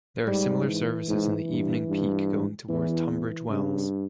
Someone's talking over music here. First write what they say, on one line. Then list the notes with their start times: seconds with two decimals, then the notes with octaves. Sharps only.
There are similar services in the evening peak going towards Tunbridge Wells.
0.27 G#2 G3
0.68 E3
1.08 G#2
1.49 G2
1.88 G2
2.69 E2 E3
3.09 E3
3.49 G2 C#3